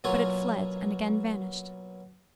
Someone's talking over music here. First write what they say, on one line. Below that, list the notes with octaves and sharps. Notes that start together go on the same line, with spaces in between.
But it fled, and again vanished.
B2 F#3 A#3 F4 G#5